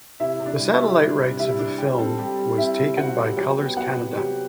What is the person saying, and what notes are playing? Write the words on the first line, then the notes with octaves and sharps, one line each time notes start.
The satellite rights of the film was taken by Colors Kannada.
C3 E4 E5
C3
D4 D5
G3
E4 E5
G3
G3 D4 D5
C3
G3 E4 E5
D4
G3 G4 G5
C4 A4 A5
G3 G4 G5
G3
C4 E4 E5
C3
C4 F#4 F#5
G3
F#3 G4 G5
B3
G5
B3 F#4 F#5
C3
F#3 G4 G5